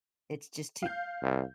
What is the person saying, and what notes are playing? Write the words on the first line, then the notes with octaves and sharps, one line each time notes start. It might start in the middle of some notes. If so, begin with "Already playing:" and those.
It's just too
F5 G6
C2